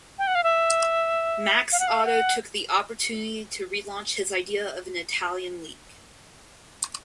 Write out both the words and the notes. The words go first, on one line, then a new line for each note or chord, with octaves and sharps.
Max Otto took the opportunity to relaunch his idea of an Italian league.
G5
F#5
F5
E5
F5
F#5
F5
F#5